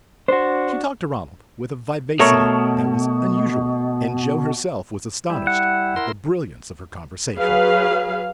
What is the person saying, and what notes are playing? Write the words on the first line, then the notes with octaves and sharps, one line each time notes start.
She talked to Ronald with a vivacity that was unusual, and Joe herself was astonished at the brilliance of her conversation.
D4 F#4 C5
B2 A3 A#4 C#5
G3 E4
F#5
E4 A#4 C6
F#3 G#4 B4 F5